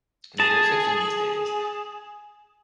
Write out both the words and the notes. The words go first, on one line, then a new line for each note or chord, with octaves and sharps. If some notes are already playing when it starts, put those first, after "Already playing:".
now there's a thing these days
G#4 A5